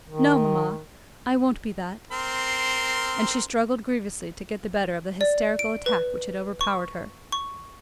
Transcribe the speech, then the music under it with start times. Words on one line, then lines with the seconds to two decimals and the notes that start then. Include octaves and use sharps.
"No, mamma, I won't be that." And she struggled grievously to get the better of the hysterical attack which had overpowered her.
0.08 D#3
2.11 C4 A#4 C6
5.21 D5
5.59 D7
5.86 B4
6.61 C#6
7.32 C#6